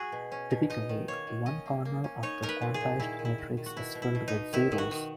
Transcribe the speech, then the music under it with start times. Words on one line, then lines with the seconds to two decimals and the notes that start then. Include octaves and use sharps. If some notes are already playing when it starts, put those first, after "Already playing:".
Typically, one corner of the quantized matrix is filled with zeros.
Already playing: F#4 G#4
0.12 B2
0.32 C#4
0.51 B2
0.70 D#4 D#5
0.89 D#3
1.08 A#3 C#5
1.27 D#3
1.46 C#4 D#5
1.66 A#3
1.85 A#3
2.04 C#4
2.23 D#4 C#5
2.42 D#4 A#4
2.49 B4
2.62 A#2
2.74 G#4
2.81 A#2
3.00 D#3 E4
3.19 D#3
3.25 E4
3.38 D#3
3.57 D#3
3.66 F#4
3.76 B2 E4
3.95 B2
4.02 E4
4.15 B2
4.28 D#4
4.34 B2
4.53 D#3 E4
4.72 D#3
4.78 F#4
4.91 D#3